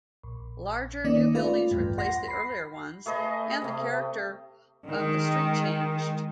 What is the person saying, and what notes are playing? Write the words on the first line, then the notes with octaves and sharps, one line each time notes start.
Larger new buildings replaced the earlier ones, and the character of the street changed.
A#1
D#3 A#3 C#4 D#4 D5
A3 F4 B4 D5
A1 E2 G2
F#5 C6 A#6
B5 C7
A3 G#4 B4 D#5
C3 A3
D#3 G#3